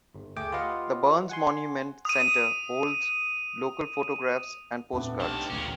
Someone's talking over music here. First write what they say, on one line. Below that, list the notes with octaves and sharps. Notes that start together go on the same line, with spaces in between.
The Burns Monument Centre holds local photographs and postcards.
G1
D2 A3 G#4 G5 D6
F4 G4 B4 D#5 F5 F#5
F#5 G#5 C6
D#6 D#7
E2 A#2 A3 B3 C4 D4
B1 D#3 G4 C#5 F5 A5
D1 A1 D2 A#2 C#4